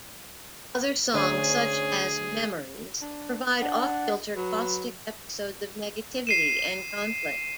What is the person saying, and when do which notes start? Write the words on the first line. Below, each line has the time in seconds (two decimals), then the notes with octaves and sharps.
Other songs, such as "Memories", provide off-kilter, caustic episodes of negativity and conflict.
1.14 D2 C#4 G#4
3.02 D4
3.62 D4 F#5
4.36 F#3 B4
6.27 C7 D#7 E7